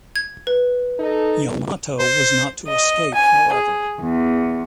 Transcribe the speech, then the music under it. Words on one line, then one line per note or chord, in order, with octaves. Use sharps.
"Yamato" was not to escape, however.
G#6
B4
D#4 A4
C5
D#5
G#5
G#4
E2